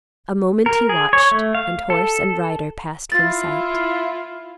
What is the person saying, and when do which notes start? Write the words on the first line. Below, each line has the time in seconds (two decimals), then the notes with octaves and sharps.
A moment he watched, and horse and rider passed from sight.
0.66 A#4
0.89 G#4
1.13 C#5
1.31 A3
1.55 F5
1.90 A4
3.12 E4 F4 F5 A6